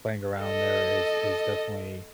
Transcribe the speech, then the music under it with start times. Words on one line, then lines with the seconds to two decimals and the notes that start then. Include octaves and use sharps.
playing around there is is definitely
0.41 A4 D#5